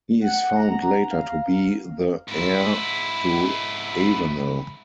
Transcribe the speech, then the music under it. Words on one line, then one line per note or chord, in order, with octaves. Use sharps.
He is found later to be the heir to Avenel.
F#5
A#5
F5
G#2 E4